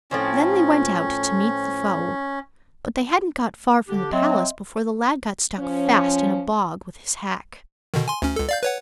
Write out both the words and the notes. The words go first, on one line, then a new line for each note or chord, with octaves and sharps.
Then they went out to meet the foe; but they hadn't got far from the palace before the lad got stuck fast in a bog with his hack.
A2 F3 C4 C#4
D3 D4 G4
F#3 C4 D#5 E5 C6
F3 C#4
B2 D3 D#3
G#5 C6
D2 C#4
C#2 A4
D5 F5 G6
B4 C#5 F#5